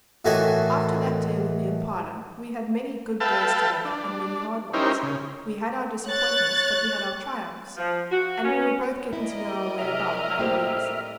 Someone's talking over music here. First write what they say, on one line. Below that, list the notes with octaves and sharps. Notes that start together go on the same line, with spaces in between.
After that day with the impala we had many good days together and many hard ones: we had our disappointments, but we had our triumphs; and we were both getting to know our way about by degrees.
A2 D#3 E3 F#4 A4 G#5
A4 B4 E5 F5 G5 A5
D4
C#4 D#4 E4 G4 A#4 C5
C#3
C#5 F#6 A6
F3
F#4
C#4
E4 A#4 D5 D#5
C3 F#3 G#4 E5 F6
A2 G3 A#3 C5